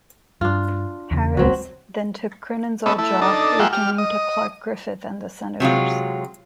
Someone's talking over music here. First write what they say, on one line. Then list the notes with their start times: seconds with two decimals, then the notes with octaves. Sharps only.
Harris then took Cronin's old job, returning to Clark Griffith and the Senators.
0.41 G2 D4 F4
1.11 E2 C#3
1.37 D#1 C#2 F#3 G#3 C4
2.86 A3 B3 C#4 D#5 E5
2.98 A3 E4
3.22 D4 D#4 A4
3.59 G#3 A#3 F4 E5 F#5 G5
3.73 G4 F6
3.98 D#5
5.60 C3 F#3 G#3 F4